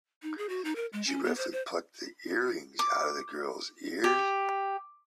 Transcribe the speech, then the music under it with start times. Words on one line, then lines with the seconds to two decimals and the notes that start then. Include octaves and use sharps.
She roughly plucked the earrings out of the girl's ears.
0.23 D#4
0.38 G#4
0.49 F#4
0.65 D#4
0.76 A#4
0.93 G#3
1.07 C#4
1.24 B3
1.37 C5
1.52 C5
2.79 D6
4.04 G4